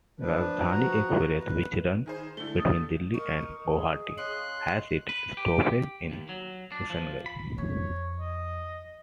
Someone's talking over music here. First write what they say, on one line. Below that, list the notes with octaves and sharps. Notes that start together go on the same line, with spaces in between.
Rajdhani Express which runs between Delhi and Guwahati has its stoppage in Kishanganj.
F3 D4 B4
F3 F#4 F#5 A#5
B4
D#3 G#4 C5
D3 A3 E4 G7
D#6 A6
D#4 A#4 C#6
G#4
C#4 D#4 F5 C6 F#6
B4
G4
D#2
F#3
D4
F3
B5
F2 C#5
D#5